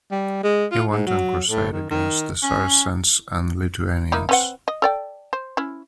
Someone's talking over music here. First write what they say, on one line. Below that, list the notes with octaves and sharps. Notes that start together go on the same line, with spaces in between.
He went on crusade against the Saracens and the Lithuanians.
G3
G#3
F4
G#2
F#3
A2
D#3
D#3
C#4
A#3 D#4 E4
C4 B4 F#5
D#5
A4 D5 G5
C5
C#4 E4